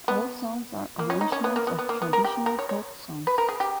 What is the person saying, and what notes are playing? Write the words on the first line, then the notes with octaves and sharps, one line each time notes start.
All songs are arrangements of traditional folk songs.
B3
A#3
C#4
D#4
C#4
B3
A#3
B3
B3
A#3
B3
A#4
G4
A#4
C#5
C#5
B4
A#4
G#4
G4